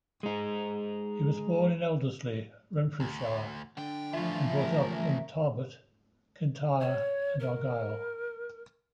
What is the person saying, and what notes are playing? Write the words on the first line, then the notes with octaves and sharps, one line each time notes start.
He was born in Elderslie, Renfrewshire, and brought up in Tarbert, Kintyre and Argyll.
G#3 D#4
D2
D3 F#3 G5
E3 F3 A3 F4 E5
C#2 F3 A#4
C#5
A#4